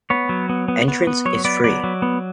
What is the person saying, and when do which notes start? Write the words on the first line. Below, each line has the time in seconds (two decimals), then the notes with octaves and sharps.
Entrance is free.
0.10 B3 C#5
0.29 F#3
0.49 B3
0.68 B3
0.88 B3
1.07 B3
1.25 F#3 C#5
1.45 B3 D5
1.64 F#3 D5
1.84 F#3
2.02 B3